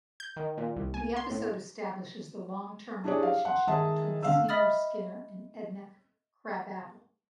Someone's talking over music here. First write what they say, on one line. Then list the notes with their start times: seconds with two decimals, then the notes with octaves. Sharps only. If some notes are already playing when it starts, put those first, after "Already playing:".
The episode establishes the long-term relationship between Seymour Skinner and Edna Krabappel.
0.20 G6
0.37 D#3
0.58 A#2
0.76 C2
0.94 G#5
1.17 C6
1.31 A2
3.04 D4 E4 G4 G#4 C#5 D5
3.23 F5
3.45 F#5 C6
3.67 D#3 G#3 G#4 E5 A5
4.23 D3 F5 E6
4.49 D#5 E5 B5 D#6 F6 A6